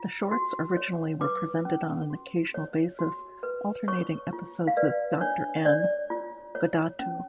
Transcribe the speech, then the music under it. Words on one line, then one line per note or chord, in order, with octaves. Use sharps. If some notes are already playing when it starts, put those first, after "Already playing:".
The shorts originally were presented on an occasional basis, alternating episodes with "Doctor N!Godatu".
Already playing: F4
F#4
C#5
B4 D6
C#4
F#4
C#5
F#4
B4
C#5 C#6
F4
F5
B4 D5
D4 C#5
C#5 D5
F4
C#5
C#4